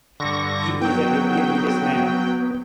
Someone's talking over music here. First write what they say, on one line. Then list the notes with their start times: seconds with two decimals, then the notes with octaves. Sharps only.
He is a deeply religious man.
0.20 G2 D3 C#6 A#6
0.81 F#3 B3 G5